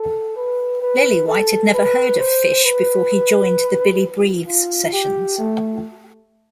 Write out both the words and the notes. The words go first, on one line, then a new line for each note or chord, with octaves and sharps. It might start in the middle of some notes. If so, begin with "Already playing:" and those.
Lillywhite had never heard of Phish before he joined the "Billy Breathes" sessions.
Already playing: A4
B4
B4
A4
B4
C5
B4
F4
G4
A3